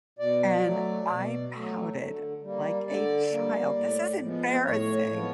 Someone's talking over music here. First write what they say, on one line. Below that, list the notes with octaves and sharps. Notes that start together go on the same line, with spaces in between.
and I pouted like a child. This is embarrassing!
B2 D5
F#3 A3
B2
F#3 A3
D3
G3 A#3
D3 D5
G3 A#3
A2
F3 G#3 B3
A2 C#5
F3 G#3 B3